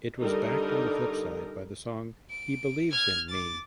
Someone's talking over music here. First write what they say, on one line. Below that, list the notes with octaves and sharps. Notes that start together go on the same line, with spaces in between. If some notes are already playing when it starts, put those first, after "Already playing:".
It was backed on the flip side by the song "He Believes in Me".
D3 G3 D#4 A#4
D7
F6 G#6
D6 A6